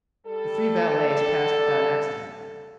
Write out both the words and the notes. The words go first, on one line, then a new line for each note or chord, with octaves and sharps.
The three valets passed without accident.
G3 A4